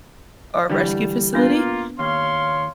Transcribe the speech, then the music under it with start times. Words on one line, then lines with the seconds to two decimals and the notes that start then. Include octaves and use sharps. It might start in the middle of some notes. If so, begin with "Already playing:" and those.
our rescue facility,
0.69 D3 E3 G3
1.34 A#3 B3 D4 F4 B4
1.99 D#2 C#5 F5 C6